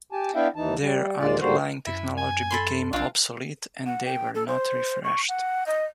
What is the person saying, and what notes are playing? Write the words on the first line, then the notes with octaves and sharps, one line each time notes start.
Their underlying technology became obsolete and they were not refreshed.
G4 G#5 A5
B3 D4 E4 E5 F5 G5
D#2 E3 D#4 A5
G3
D#2 A#2 G#3 F4 D5
G#2 D3 G3 A#3 F#4 C5
F#2 E4
G#5
A4 B5 C6
B1 C4 D4 F4
F#5
G5
A4
C5
C#6
F#5
D#5